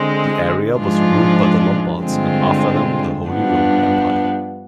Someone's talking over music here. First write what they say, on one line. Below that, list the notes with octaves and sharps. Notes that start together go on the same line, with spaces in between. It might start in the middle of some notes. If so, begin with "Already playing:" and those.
The area was ruled by the Lombards and after them the Holy Roman Empire.
Already playing: D3 G#3 C4
G#2 F3 G#3 D4 F4
G2 D3 G#3 C4 F4
G2 F3 B3 D4